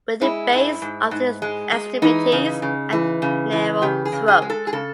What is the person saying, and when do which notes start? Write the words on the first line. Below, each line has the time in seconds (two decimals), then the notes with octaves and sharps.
With the base of the extremities and narrow throat.
0.21 G#3 E4
0.52 G#2
0.82 G#2
1.11 G#2
1.42 G#3
1.72 G#3
2.02 E3 D#4
2.32 C#3
2.62 C#3
2.93 E3
3.22 C#3
3.52 E3
3.82 C#3 G4
4.05 G#4
4.12 C#3
4.28 G#4
4.42 G#3
4.50 A4
4.67 G#4
4.73 C#3 A4